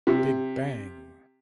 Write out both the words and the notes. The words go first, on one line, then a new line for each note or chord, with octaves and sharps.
Big Bang!
C3